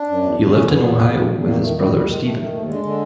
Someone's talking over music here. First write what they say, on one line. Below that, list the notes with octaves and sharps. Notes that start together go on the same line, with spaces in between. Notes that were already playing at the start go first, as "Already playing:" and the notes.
He lived in Ohio with his brother Stephen.
Already playing: D4
F#2
E2
E2
E2 C#4
E2 B3
C#3
E2
E2
E2
D#3 A#3
D#3 A3
D#3 G3
D#2 G3
D#3 G#3
D#3 A3
D#3 A3
D#2 A3
D3 G#3
D3